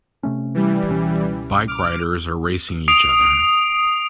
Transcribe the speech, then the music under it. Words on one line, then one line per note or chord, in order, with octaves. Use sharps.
Bike riders are racing each other.
C3 A3 C#4
E3 G3
C#2 B2 C#4
D6 F6 D7
D#6 C7 D7 F7